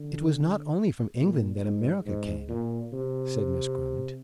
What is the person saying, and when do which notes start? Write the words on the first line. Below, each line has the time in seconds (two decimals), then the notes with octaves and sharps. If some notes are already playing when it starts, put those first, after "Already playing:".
"It was not only from England that America came," said Miss Grammont.
Already playing: D3
1.20 A#2
1.63 G#2
2.06 G#2
2.49 A#2
2.93 C3